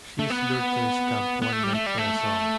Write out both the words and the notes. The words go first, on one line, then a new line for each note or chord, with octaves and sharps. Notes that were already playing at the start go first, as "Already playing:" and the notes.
She is lured to his camp one night by a song.
A3
B3
B3
A3
G3
A3
G3
A3